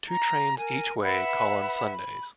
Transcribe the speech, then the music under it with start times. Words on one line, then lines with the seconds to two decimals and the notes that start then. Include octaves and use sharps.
Two trains each way call on Sundays.
0.07 A#5
0.56 A#4 G#5
1.01 B4 E5 F#5 B5
1.92 B5